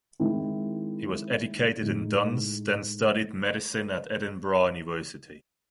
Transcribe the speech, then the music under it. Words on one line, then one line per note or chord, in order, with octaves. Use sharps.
He was educated in Duns then studied Medicine at Edinburgh University.
D#3 G#3 C4 E4
A2 G#3 D#4